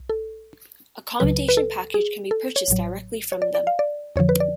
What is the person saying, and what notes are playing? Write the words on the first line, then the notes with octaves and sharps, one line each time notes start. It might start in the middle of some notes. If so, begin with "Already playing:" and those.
Accommodation package can be purchased directly from them.
Already playing: B1
A4
C#2 C#3 F#3 B4
B4
A4
G#4
A4
C#5
A1 A2 F#3
C#5
D5
D5
F5
D5
F2 D3 F3 C#5
B4
D5